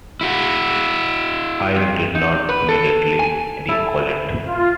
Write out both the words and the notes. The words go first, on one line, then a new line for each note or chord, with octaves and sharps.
I did not immediately recollect.
E4 F#4
F2
D#4
B4
A4
G#5
E4 A4
F4